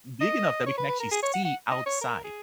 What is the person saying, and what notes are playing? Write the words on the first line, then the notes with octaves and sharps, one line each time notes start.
big enough that we can actually see outside.
D#5
C#5
B4
B4
A#4
G#4
C#5
F#5
F#5
D#5
C#5
A#4
G#4